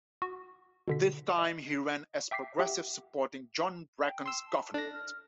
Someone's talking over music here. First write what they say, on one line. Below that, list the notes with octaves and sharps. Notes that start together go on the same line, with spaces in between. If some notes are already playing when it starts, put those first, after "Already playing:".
This time, he ran as Progressive supporting John Bracken's government.
F#4
B2 D3 B6
D#5
E5 G5 D6 B6 C7
G4 E5 F#5 G5
G5
C6 E6
A5
D4 A4 A#6
F6